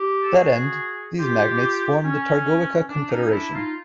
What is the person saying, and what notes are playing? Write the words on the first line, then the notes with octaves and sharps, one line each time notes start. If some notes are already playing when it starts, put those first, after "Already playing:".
To that end these magnates formed the Targowica Confederation.
Already playing: G4
A4
F#4 G#4
F4 G4
C#4
D4
C#4 D#4
D4 E4
D#4 F4